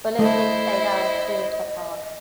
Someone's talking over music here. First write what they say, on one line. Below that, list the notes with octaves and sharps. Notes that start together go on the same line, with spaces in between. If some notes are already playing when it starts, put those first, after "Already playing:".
Olympic played out of Toyota Park.
A3 E4 C5 D#5